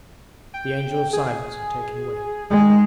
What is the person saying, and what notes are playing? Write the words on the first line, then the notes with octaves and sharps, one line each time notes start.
The Angel of Silence had taken wing.
G5
G#4
D#3 G#3